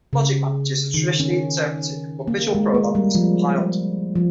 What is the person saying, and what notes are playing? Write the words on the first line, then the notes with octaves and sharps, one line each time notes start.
Logic languages are traditionally interpreted, but Visual Prolog is compiled.
C#3
D#3
C#4
A#3
G#3
A#3
G3
F3
F3